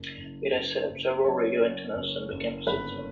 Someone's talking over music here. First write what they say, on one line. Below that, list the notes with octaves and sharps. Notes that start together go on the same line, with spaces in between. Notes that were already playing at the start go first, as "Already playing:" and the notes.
It has set up several radio antennas in the campus itself.
Already playing: F#1
F#1
F#1
F#1
F#2 C#5
F#2
F#1
F#1
G1 B4